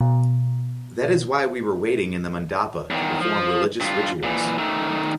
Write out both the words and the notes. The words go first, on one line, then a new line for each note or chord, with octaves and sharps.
That is why we were waiting in the mandapa to perform religious rituals.
B2
E2 D#3
F3
G2 F4
A#2 E3
D#3 A3